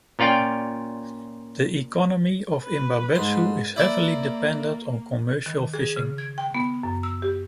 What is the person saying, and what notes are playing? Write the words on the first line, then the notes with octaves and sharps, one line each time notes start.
The economy of Imabetsu is heavily dependent on commercial fishing.
A#2 C#4 F4 D5 G5
B4
G#2 C6
A#3 E4 D5
D#3
G#4
C#3
G#6
G5
B3
F#2
E6
G4